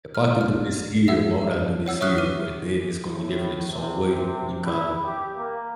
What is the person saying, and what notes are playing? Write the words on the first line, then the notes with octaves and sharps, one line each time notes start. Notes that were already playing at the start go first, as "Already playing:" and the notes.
if I could do this here, why would I do this here? But then it's gonna be different in its own way, and you kinda
F6
F6
G#4 E5 F#5 E6
C#5 F#5 E6
C#5 E5 C#6 D#6 F6 F#6
B4 D6 F6 D#7
A2
C3
C3
E4
G4
A#3